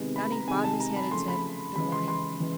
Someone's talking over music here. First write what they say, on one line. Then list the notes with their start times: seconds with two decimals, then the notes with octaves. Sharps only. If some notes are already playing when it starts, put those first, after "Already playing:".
Johnny bobbed his head and said, "Good morning."
Already playing: C3 D#3 G#3 B3
0.16 B5
0.32 A#5
0.48 C3 D#3 G#3 G#5
0.64 A5
0.80 A#5
0.96 B5
1.11 C#3 F3 A3 C6
1.28 B5
1.76 C#3 E3 G#3 B5
1.92 C6
2.08 C6
2.39 C#3 E3 G#3